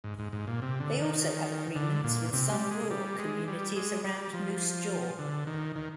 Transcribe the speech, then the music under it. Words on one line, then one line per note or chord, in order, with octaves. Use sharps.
They also have agreements with some rural communities around Moose Jaw.
G#2
G#2
G#2
A#2
C3
D3
D#3
D3
A#2
C3
G3
G#3
G3
G#3
G3
G#3
G3
F3
D3
D#3
D#3